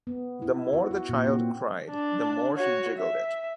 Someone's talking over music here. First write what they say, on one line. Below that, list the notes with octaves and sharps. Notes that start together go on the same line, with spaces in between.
The more the child cried the more she jiggled it.
B3
E4
F#4
F#4
A#2
C4
D4
F#4 C#5
E5